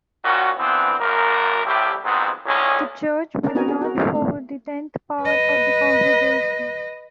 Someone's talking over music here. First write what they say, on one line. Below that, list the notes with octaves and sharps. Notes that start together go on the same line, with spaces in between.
The church would not hold the tenth part of the congregation.
A#2 D#3 C#4 F#4
D3 E3 F3 B3 C4
G#1 F#2 A#3 A#4
C2 A2 F3 E4 G4
F2 G#2 D#3 F#3 B3 C4
C#2 A2 D3 F3 G#3 C#4
C#4 D4 A#4
B3 C4 D#4 F#4 A#4 G#5
G#4
F#4 A#4
C4 D#4 F5
A3
B4 D#5